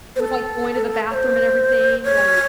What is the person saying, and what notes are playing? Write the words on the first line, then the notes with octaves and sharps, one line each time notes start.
with, like, going to the bathroom and everything, like
C5
A4
C#5
C5
C#5